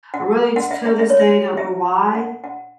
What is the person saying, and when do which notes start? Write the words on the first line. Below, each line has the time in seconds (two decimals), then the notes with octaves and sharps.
Really, it's till this day, I don't know why,
0.14 F#5
0.56 F#5
0.71 E5
0.85 E5
0.99 E5
1.10 C#5
1.19 E5
1.57 E5
2.15 F#5
2.44 F#5